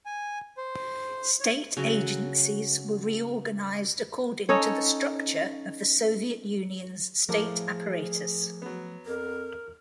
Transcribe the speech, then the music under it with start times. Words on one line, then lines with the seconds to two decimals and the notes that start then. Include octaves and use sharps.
State agencies were reorganised according to the structure of the Soviet Union’s state apparatus.
0.06 G#5
0.57 C5
1.40 C#5
1.77 C#3 F#3 F#4
4.49 C#4 D#4 A4 C#5
7.29 A2 F3 A3 G#4 A#4 D6
8.62 F#3 B3
9.06 F2 A#4